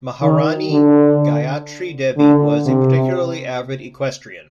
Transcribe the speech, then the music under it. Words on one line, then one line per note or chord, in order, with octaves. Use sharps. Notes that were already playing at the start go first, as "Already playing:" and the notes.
Maharani Gayatri Devi was a particularly avid equestrienne.
D#3
D3
D3
C3